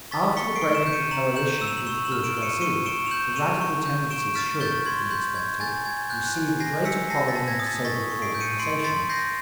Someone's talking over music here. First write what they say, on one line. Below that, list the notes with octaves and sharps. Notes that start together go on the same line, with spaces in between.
After the break of the coalition with the bourgeoisie, the radical tendencies should, we expected, receive a greater following in the Soviet organizations.
C#6 A6 B6
C#6 B6 C#7
C7 D7
C#6
D7 E7
G6
C#7 D#7
A#5 E7 F#7
G6 E7 F#7
D#7
E6 E7
F7
F#7
C#6 F7 G7
E7 F#7
F6
D7 E7
C#6
C#7 D#7
C#6 C#7 D#7
C#6 D7 E7
F7
G6 E7 F#7
C#6 D#7 F7
C#6
G6
C#6 D7 E7
F6 A6 B6
C#6 G6 A6
C6 G#6
C6 G6
G6 G#6
G#5 G6 A6
G#5 G#6
F#6 G6
G#5
G#5 A#6 C7
E6 B6 C#7
A5 A#6 C7
A6 B6
A5
G#6 A#6
D#6
A6 B6
C#6 A6 B6
C#6
C7 D7
G6
C#7 D#7
C6 C7 D7
C6 A6 B6
G6 A#6 C7